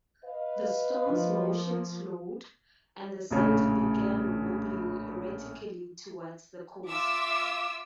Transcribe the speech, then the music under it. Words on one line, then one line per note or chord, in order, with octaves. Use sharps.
The storm's motion slowed, and the center began wobbling erratically toward the coast.
B4 D#5 F5
F3 A#3
A#1 A2 C#3 C#5
F4 E5 D6 E6